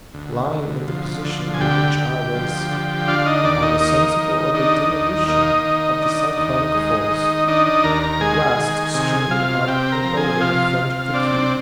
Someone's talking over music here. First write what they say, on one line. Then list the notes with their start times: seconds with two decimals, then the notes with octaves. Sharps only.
Lying in the position in which I was, I was sensible of a diminution of the cyclonic force; the blast streamed up and over the front of the cube.
0.14 D2
0.52 D2
0.88 F3
1.25 D3
1.54 G#5
1.61 D2 G4 G5
1.97 D2
2.35 F3
2.71 D3
3.08 D4 F4 F5
3.26 D#4 D#5
3.44 D#2 D4 D5
3.62 D#4 D#5
3.80 A#3 D#4 D#5
4.18 D#3
4.54 D4 D#4 D#5
4.91 D#2
5.28 A#3 D#4 D#5
5.65 D#3
6.02 D4
6.38 D#2
6.75 G#3
7.11 D#3
7.48 D4 D#4 D#5
7.66 D#4 D#5
7.84 D#2 A#4 A#5
8.03 A#4 A#5
8.21 G#3 G#4 G#5
8.58 D#3
8.94 C3 G#4 G#5
9.30 C3 F4 F5
9.67 C4 G4 G5
9.92 A#4 A#5
10.04 F3
10.17 G#4 G#5
10.40 C3 F4 F5
10.78 C3
11.14 C4 D4 D5